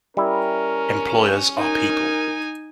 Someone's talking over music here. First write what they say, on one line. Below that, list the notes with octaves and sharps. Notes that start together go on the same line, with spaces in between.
Employers are people.
G3 C#4 E4 A#4
D#4 A#4 G#5